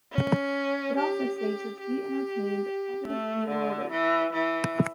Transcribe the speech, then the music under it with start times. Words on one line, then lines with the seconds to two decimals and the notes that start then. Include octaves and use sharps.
It also states that she entertained President Theodore Roosevelt.
0.12 C#4
0.96 G4
1.39 G4
1.81 G4
3.06 A3
3.48 D3
3.90 E3
4.33 E3